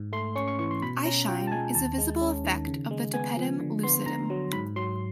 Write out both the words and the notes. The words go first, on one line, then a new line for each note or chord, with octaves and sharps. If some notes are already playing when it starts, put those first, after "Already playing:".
Eyeshine is a visible effect of the tapetum lucidum.
Already playing: G#2
A3 C6
C#4 C#6
C#6
E3 C#6
C6
B2 B5
C#4 A#5
F4 G5
A5
G#3 G#5
D#2 A5
G#3
C#4
D#3
C#3
G#3
B3 G#5
F3
D3
B3 C6
D3 A#5
F#3
G#2 B5
F#3 C6